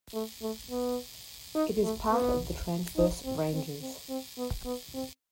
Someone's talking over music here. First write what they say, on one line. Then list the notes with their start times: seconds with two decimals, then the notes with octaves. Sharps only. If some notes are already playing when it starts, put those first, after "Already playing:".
It is part of the Transverse Ranges.
0.14 A3
0.42 A3
0.70 B3
1.55 D#4
1.83 A3
2.11 B3
2.97 D#4
3.25 C4
3.53 C4
3.81 C4
4.09 C4
4.37 B3
4.65 B3
4.94 C4